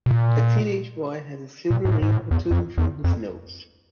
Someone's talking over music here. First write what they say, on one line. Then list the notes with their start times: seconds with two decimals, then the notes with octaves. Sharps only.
A teenage boy has a silver ring protruding from his nose.
0.06 B2
0.11 A#2
1.70 A#2
1.85 G#2
1.91 A2
2.02 G#2
2.11 A2
2.31 E2
2.51 F2
2.78 E2
3.04 F2